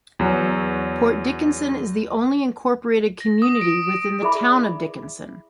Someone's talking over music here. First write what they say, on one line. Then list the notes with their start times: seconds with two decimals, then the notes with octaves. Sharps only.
Port Dickinson is the only incorporated community within the town of Dickinson.
0.19 E2 F#3
3.20 A#6
3.42 D#6
3.61 D7
4.22 E4 G#4 D5 E5 B5 D6